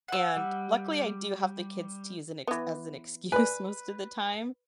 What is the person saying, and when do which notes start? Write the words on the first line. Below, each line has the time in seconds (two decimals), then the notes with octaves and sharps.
and luckily, I do have the kids to use as an ex as an excuse most of the time.
0.08 F#5 E6
0.37 G3
2.47 E3 B3
3.32 B4 D5 G#5